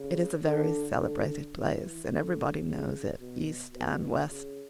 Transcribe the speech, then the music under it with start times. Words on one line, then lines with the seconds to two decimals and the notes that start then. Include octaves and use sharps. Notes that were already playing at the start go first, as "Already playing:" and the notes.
It is a very celebrated place, and everybody knows it East and West.
Already playing: C#3
0.45 D3
1.00 D3
1.55 E3
2.10 D3
2.65 C#3
3.20 B2
3.75 B2
4.28 C#3